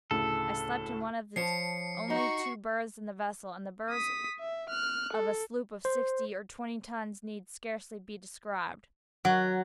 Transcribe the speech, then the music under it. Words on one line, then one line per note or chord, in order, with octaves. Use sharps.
I slept in one of the only two berths in the vessel--and the berths of a sloop of sixty or twenty tons need scarcely be described.
D2 A2 C#3 A4
F3 C#5 A5 C7 C#7
D#4 F#4 C#6
D#6 B6
E5
F6 F#6
A4
C5
F#3